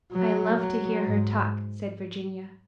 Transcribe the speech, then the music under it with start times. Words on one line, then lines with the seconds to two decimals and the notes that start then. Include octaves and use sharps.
"I love to hear her talk," said Virginia.
0.12 F#3
0.57 F#3
1.04 G#2